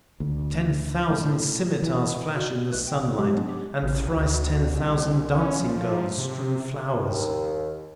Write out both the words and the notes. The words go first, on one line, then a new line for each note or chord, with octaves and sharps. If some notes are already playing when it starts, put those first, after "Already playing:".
Ten thousand scimitars flash in the sunlight, and thrice ten thousand dancing-girls strew flowers.
D2
A2
E3
F#4 D5
B1 A3 B4 F#6
G5
F#3 G#3 G4
F#3 G#3 B3 C#4 D4
G4
A1
D2
C2
C#4
F3
C3
D#2